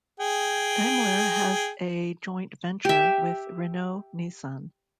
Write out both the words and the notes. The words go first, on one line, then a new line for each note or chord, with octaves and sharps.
Daimler has a joint venture with Renault-Nissan.
G#4 G5
G4 E5